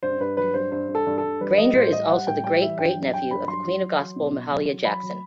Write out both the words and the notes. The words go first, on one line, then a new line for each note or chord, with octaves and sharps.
Granger is also the great-great-nephew of the "Queen of Gospel", Mahalia Jackson.
G2 C5
G2 B4
F#3 B4
G2 C5
G2 C5
G2
A4
G2
A4
G2
G3 B4
G3 D#5
A2 C5
G3 D#5
G3 F#5
A2 G5
G3 G5
E3 E5
G2 G5
F#3
G2 G5
G2 B5
F#3 C6
F#3
F#3
F#3
B2
B2
F#3
F#3
F#3 B5
F#3